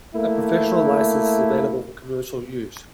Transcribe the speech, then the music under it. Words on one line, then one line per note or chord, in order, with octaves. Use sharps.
A professional license is available for commercial use.
A3 A#3 E4